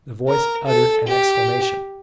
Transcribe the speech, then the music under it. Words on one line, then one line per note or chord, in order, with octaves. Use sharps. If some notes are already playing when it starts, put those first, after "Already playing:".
The voice uttered an exclamation.
A#4
A4
G4